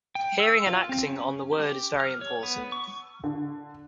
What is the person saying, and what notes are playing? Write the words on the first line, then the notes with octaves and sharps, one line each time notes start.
Hearing and acting on the Word is very important.
G5
E6
F4
C4
C#4
G4
F6
C#5
B3
C#6
D3